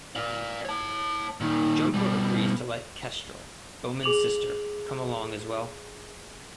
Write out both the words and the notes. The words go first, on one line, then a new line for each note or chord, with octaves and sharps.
Jumper agrees to let Kestrel, Bowman's sister, come along as well.
D5 F5
C#5 A5
A#2 D#3
B2 G3
G#4 D6 F7 F#7